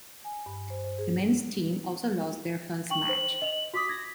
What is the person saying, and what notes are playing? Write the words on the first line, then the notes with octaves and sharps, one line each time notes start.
The men's team also lost their first match.
G#5
G2
C5
C5
G#4
G5 C#6 F#7
C5
D#5 F7
F#4 D6 D#6 B6
G#6 A#6